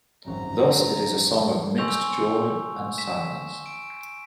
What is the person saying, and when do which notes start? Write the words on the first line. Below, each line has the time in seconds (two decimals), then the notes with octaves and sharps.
Thus it is a song of mixed joy and sadness.
0.25 G#1 F#2 A#5
1.78 G#5 C6 C#6 E6 G6 F7
2.98 B6 E7
3.66 D7